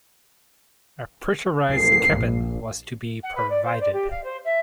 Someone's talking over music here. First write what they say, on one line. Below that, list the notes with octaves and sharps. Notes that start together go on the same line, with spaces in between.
A pressurized cabin was to be provided.
C7
A#1
F#5
B4
D5
C5
D5
G4
F5
C5
E5